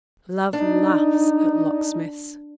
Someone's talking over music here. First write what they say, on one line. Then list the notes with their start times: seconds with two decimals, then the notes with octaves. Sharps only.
Love laughs at locksmiths.
0.53 D4 D#4